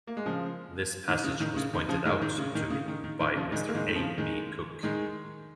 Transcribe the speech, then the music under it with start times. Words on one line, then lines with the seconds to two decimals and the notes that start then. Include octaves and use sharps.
This passage was pointed out to me by Mr. A. B. Cook.
0.07 A#3
0.17 G#3
0.26 C#3 F3
1.08 D#3
1.24 C#3
1.40 D#3
1.56 C#3
1.74 D#3
1.89 C#3 F3
2.05 D#3 G#3
2.22 D#3
2.38 C#3
2.55 D#3
2.70 C#3
2.88 D#3
3.04 D#3
3.20 D#3
3.36 C#3 F3
3.52 D#3 G#3
3.67 A#3
3.74 D#3 G#3
3.88 D#3
3.96 C#3 F3
4.18 D#3 G#3
4.83 D#3 G#3